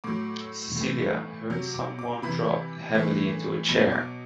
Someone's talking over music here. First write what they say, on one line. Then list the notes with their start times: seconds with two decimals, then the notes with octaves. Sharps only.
Celia heard some one drop heavily into a chair.
0.04 A2 F#3 D6
0.40 E6
0.76 A2 E3
1.50 C3 F#3
1.74 D6
1.99 D6
2.22 C3 E3 B5
2.95 A2 E3
3.68 B2 F#3 B5
3.92 D6